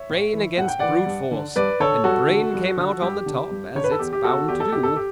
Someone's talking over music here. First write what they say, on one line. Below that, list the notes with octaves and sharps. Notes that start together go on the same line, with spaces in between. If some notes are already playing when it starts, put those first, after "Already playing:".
'Brain against brute force--and brain came out on the top--as it's bound to do.
Already playing: C#5 E5
A2
E3
A2 F#5
G5
E3 D5 F#5
G2
D3
G2 B4 D5
D3 A4 C#5
G2 F#4 A4
D3
G2
D3
G2 G4
D3
G2
D3 C#5
B4
A4
E2 G4
G4
B2 F#4 A4
E2 G4
A4
B2 G4
A4
G4